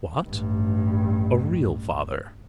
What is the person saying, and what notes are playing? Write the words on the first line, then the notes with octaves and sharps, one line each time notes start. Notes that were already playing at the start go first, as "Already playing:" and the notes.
"What? a real father?"
A1 G2